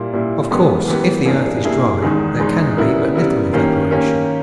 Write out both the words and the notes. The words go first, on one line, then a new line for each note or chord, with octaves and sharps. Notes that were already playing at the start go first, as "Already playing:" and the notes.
Of course, if the earth is dry there can be but little evaporation.
Already playing: A#2 G3 A#3 E4
A#2 G3 A#3 E4
E3 G#3 B3 G4 A#4
E3 G#3 B3 G4 A#4
G2 G3 A#3 E4 G#4
G2 G3 A#3 E4 G#4
E2 D#3 G#3 D#4
E2 D#3 G#3 D#4
C#3 G3 B3 E4 A#4
C#3 G3 B3 E4 A#4
D#3 A#3 C#4 G4 A#4
D#3 A#3 C#4 G4 A#4